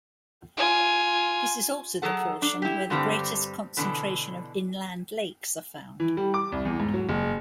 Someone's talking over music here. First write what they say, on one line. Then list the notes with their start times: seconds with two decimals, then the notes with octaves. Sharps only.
This is also the portion where the greatest concentration of inland lakes are found.
0.57 F4 G#5
2.02 F#3 G#4 A4 F#5
2.42 D4
2.62 E4 G4
2.90 G2 D3 G3 C4
3.77 B2 D3 E3
6.00 E3
6.17 G3
6.34 D6
6.52 C2
6.65 E2
6.80 G#2
6.94 F#3
7.09 F#1